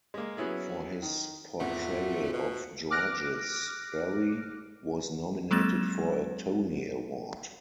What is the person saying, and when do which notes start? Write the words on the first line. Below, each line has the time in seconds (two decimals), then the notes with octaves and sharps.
For his portrayal of Georges, Barry was nominated for a Tony Award.
0.14 G#3 A#3
0.37 F#3 B3 C#4 E4 G#4
1.02 D#3
1.60 G#1 E2 A3 F4 F#5
2.33 B2
2.90 D6 F6 F#6 A#6 D7
5.51 F#3 G#3 A#3 C4 A6 E7